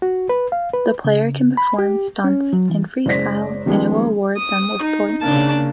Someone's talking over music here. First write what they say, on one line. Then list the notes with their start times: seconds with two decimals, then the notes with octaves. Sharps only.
The player can perform stunts in Freestyle and it will award them with points.
0.02 F#4
0.29 B4
0.52 F5
0.73 B4
1.05 C#3
1.57 B5
1.79 G4
2.24 C#4
2.53 F#3
2.70 E3
3.06 F#1 G#3 C5 D5 A#6 B6
3.66 D#3 F3 G3 G#3 B3 C#4
4.37 D#6
4.82 D#4
5.21 C#3 A#3 D4 A5